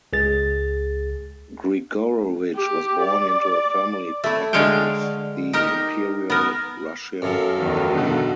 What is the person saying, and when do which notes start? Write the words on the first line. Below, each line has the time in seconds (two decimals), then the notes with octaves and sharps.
Grigorovich was born into a family connected with the Imperial Russian Ballet.
0.13 C#2 G#4 A6
2.56 G4
3.02 D5
4.24 A3 E4
4.53 D3 G#3 C#5 F5 G5
5.53 D#4 G4 A#4
6.30 B3 A#4
7.22 F#2 A4 A#4 F5
7.54 E2 D#3 F#3
7.94 B2 D3